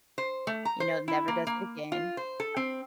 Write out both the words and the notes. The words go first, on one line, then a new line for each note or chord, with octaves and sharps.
you know, never does it again.
C5
A3
A#5
C5
E4
A#3
A#3
F4
C5
A4
C4